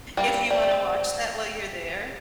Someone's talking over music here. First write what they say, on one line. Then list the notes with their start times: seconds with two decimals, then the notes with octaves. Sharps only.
if you wanna watch that while you're there.
0.17 G3 A#3 C4
0.51 C4 D5